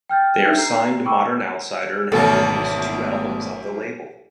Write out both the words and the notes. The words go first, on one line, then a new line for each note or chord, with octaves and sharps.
They are signed to Modern Outsider and have released two albums on the label.
G5 F6 G6 A6
D4 D#4 A4 E5 G5 G6
A#5 C7
G5 B5 C#6 D6 E6
G#1 F#2 B2 E3 A3 A#3 A4